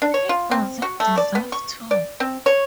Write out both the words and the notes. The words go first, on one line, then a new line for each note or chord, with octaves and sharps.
He doesn't deserve to.
D4
C#5
F4
C4
F#4
A3
D5
B3
C#6
D5
C4
C#5